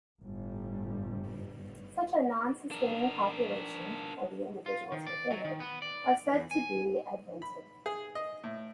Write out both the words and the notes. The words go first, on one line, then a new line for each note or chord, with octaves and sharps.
Such a non-sustaining population, or the individuals within it, are said to be adventive.
G1 A2 G3
D4 A#4
F4
D#3
D5
F#3
D#3
B3
D5
E2
G#5
B5
G#4
D#5
A2